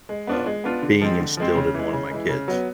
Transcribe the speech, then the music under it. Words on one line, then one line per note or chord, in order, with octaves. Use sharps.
um, being instilled in one of my kids.
G#3
B3 D4 F4
G#3
B3 D4 F4
D3
F3 G#3 C4
D3
F3 G#3 C4
C#3
E3 G#3
C#3
E3 G#3
C#3
F#3 B3